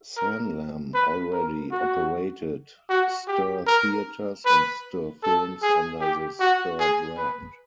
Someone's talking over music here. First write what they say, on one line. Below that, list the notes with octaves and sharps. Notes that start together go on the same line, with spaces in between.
Sanlam already operated Ster Theatres and Ster Films under the Ster brand.
A#4
B4
A#4
F#4
F#4
G4
A#4
B4
A4
G#4
G4
F#4
G#4
B4